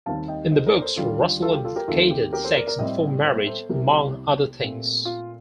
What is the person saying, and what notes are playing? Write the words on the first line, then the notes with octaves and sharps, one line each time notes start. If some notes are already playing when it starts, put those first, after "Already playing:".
In the books, Russell advocated sex before marriage, among other things.
D#2 D#3 G3 C4 F5 A5
D#5 G5
C5 D#5
A#4 D5
A4 C5
D#2 D3 G3 F4 A4
F4
F4 A4
G4
F4 A4
G4 A#4
D#2 D#3 A3 C4 F4 A4
F4
G4
G4
G4 A#4
A4 C5
A#4 D5
A#4 D5
A2 G3 C4 D#5 G5
A4 C5
A4 C5
C2 C3 G3 G4 A#4
G4
A#2 A3 C4
F4